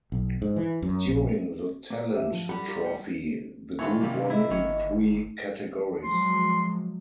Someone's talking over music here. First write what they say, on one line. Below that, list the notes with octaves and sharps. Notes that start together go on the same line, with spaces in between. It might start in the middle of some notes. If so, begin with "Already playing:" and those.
During the Talent Trophy, the group won in three categories.
B1
G#2
E3
F#2
A#1
A#3
G4 E5
F3
G3 G4 A4 F#5 B5
F4 G4 A#4
F#5 G5
D#3 E3 E4 F4 C#5
C3 D#3 G3 A#3
E4 D#5
G1 D#3 C#5
F3 F#3 G#3 C6